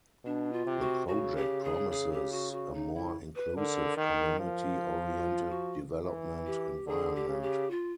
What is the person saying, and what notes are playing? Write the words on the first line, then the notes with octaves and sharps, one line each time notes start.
The project promises a more inclusive, community-oriented development environment.
B2 D4
F4
C3
F#4
C#3 F#4
G4
G#4
G#4
G4
F#4
F#4
D#4
E4
B4
D3 A#4
D#3
F3
F#4
F4
F#4
E3
G4
D3 G#4
G4
C#3
G4
F4